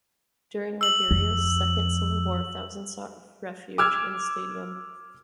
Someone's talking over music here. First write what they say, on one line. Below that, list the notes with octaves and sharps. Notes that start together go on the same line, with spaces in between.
During Liberia's second civil war, thousands sought refuge in the stadium.
E6 F#7
F2
D6 E6 F6 G#6